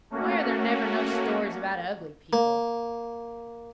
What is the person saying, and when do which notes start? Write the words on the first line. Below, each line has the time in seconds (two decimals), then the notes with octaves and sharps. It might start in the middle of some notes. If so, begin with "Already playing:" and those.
"Why are there never no stories about ugly people?"
0.10 A3 A#3 C#4 F#4
2.33 A#3